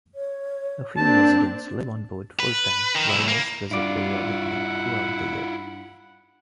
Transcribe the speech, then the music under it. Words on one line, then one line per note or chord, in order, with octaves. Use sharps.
A few residents live on board full-time while most visit periodically throughout the year.
C#5
A#3 C4 D4 A5
B4
D#3
B1 E4
A#3
G2 E4 F4 D5 F#5